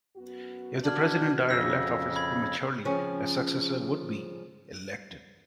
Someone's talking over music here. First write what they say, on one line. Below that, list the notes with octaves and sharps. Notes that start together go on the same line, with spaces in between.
If the president died or left office prematurely a successor would be elected.
F#2 B3 F#4
D4 F6 G#6 F#7
F2 C#3 E6 A#6 B6
B5 G#6
C#3 F3 C4 C#4